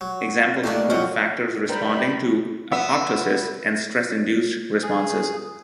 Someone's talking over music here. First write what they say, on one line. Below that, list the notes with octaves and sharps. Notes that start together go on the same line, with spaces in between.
Examples include factors responding to apoptosis and stress-induced responses.
F#3
D#3 A3 A#3 D4 A#4
F2 F#3 C#4 F#4 D#5
G3 D4 D#4 A#4 C5 G5 B5
B3 E5
G#4